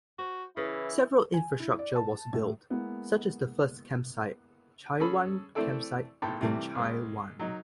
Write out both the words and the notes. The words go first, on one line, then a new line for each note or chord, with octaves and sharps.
Several infrastructure was built, such as the first campsite, Chaiwan Campsite in Chai Wan.
F#4 C5
C#3 E3 E4 B4
G#5
E4
D5
A5
A2
G#3 A#3 B3 E4
C#4 G#4 A4 B5
E3 A3 C4 E4 A4 D5
B1 A2 G5 A5
C3 E3 G3 A3
C2 G#3
F#3 D#4